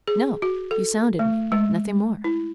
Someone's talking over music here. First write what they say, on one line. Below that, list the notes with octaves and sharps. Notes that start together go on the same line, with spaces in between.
No, you sounded me, nothing more.
G#4
F#4
A4
A3
G#3
E4